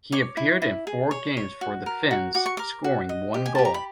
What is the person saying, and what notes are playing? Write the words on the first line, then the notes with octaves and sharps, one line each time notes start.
He appeared in four games for the Finns, scoring one goal.
C#5 D6
E4
E4
G#4
C#5
C#5
F#4
A#4
F#4
F#4 D6
C#6
A#4 D6
F#4
D#5
G4
G#5
G4 A5
A#5
B5